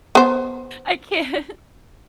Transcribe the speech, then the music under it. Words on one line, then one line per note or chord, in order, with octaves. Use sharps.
I can't.
B3 C5